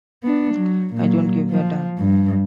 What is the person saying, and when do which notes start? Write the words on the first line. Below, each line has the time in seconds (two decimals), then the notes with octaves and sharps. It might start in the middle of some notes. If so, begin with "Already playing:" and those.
I don't give a damn.
0.24 B3 D4
0.54 F#3
0.94 A#2 F#3
1.50 F3
1.98 G2